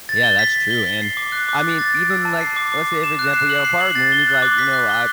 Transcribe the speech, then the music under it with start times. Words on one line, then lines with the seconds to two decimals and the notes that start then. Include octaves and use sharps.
Yeah, that's true. And I mean, even, like, let's say for example, you have a partner and he's like, you know, “I
0.09 A6
0.23 G7
0.39 B6
0.56 B6
0.70 G7
0.86 G7
1.02 C7
1.17 D6
1.32 F#6
1.49 D6
1.64 A6
1.79 A6
1.95 D7
2.10 E6
2.25 A5
2.41 C7
2.56 D6
2.72 D6
2.87 D6
3.03 E7
3.19 F#6
3.33 C7
3.49 F#7
3.65 C7
3.80 F#7
3.95 A6
4.12 G7
4.28 F#6
4.42 D6
4.59 B6
4.73 F#6
4.90 G7